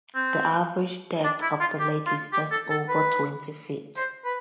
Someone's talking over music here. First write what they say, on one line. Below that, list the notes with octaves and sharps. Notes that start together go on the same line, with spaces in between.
The average depth of the lake is just over twenty feet.
C4
D4
E4
F4
G4
F4
G4
A4
A4
B4
C5
B4